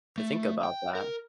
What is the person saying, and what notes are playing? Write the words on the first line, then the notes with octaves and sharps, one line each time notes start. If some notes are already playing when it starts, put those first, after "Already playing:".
to think about that.
A3
G5
A#4